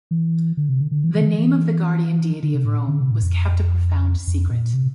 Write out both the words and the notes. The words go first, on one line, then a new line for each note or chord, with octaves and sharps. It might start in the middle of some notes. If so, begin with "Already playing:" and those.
The name of the guardian deity of Rome was kept a profound secret.
E3
D3
C3
D3
D3
E3
E3
D3
E3
E3
D3
C3
A2
A#2
D3
C3
A2
F2
F2
A#2
C3